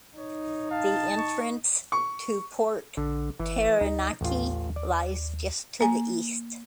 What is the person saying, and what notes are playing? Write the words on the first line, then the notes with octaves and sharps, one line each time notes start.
The entrance to Port Taranaki lies just to the east.
D#4 C#5
F5 A5
C#6
C#6
A#1 D3
G1 E3
D2 D#4
A1 D#2 F4
D5
A#3 G#5